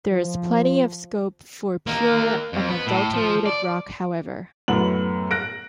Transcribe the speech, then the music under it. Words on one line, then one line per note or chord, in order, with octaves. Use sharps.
There is plenty of scope for pure, unadulterated rock however.
F3
D#3 A#3
F2
B3
A2
F3
D5
F#2 A2 B3 F#7
F#6 A#6 D7